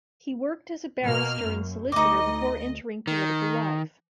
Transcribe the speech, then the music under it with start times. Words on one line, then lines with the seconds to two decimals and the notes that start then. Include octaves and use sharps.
He worked as a barrister and solicitor before entering political life.
1.06 B2 A#3 F6
1.43 F#2
1.92 D2 D#4 D#5 D6
3.07 D#3